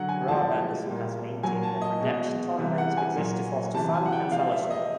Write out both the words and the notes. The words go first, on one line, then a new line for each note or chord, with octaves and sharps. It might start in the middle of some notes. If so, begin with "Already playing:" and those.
Rob Anderson has maintained that Redemption Tournaments exist to foster fun and fellowship.
Already playing: D3 F#3 F#5
G#5
A2 F3 G#3 A5
A#2 G3
A#2 F#3 G#5
A5
D#5
B2 G#3
C3 E3 G3
F#5
G#5
A#2 F#3
C3 E3 G#3 A5
G#5
F#5
G5
C3 F3 G#3 F5
E5
D#5